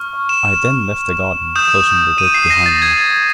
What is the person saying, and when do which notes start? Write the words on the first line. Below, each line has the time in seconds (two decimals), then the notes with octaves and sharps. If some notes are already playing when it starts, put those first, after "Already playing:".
I then left the garden, closing the gate behind me.
Already playing: C#6 F6
0.29 E7
1.56 D#6 G6 E7
2.18 D#7
2.34 C7
2.50 A#6
2.66 A6
2.82 G#6